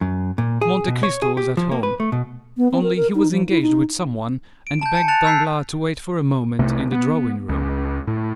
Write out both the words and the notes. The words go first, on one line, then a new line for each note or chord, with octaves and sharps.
Monte Cristo was at home; only he was engaged with some one and begged Danglars to wait for a moment in the drawing-room.
F#2
A#2
G#4
B2
C#5
G#4
G4
F3
A#3
B4
A3
B2
B3
C4
A#4
A#4
D#4
F3
E4
D#4
D7
A5 G6
G#5 A5 C#7
A5 F#6 A6 C#7 F7
E6 G6 B6 C7
C2 C3 A3
B3
C#2
A2